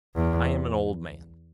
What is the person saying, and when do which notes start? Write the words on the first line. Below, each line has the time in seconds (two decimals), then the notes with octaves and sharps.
I am an old man.
0.16 E2